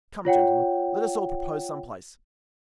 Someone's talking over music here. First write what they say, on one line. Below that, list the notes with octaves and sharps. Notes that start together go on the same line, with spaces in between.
Come, gentlemen, let us all propose some place.
F4 C#5 F#5 G5